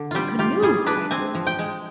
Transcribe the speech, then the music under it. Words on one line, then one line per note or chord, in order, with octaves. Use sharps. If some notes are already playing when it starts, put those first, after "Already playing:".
"A canoe!" cried he.
Already playing: D3
G3 F4 G4
F4 G4
G3 G#4
D4 B4
C4 G#5
F3
G5
G#3